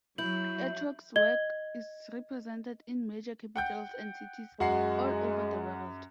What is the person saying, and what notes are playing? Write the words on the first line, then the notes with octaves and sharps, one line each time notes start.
Etrog's work is represented in major capitals and cities all over the world.
F#3 E4 G6 F#7
D#5 G#6 G7
F#5 G5 G6
F#2 G#3 F#4 F#5 C7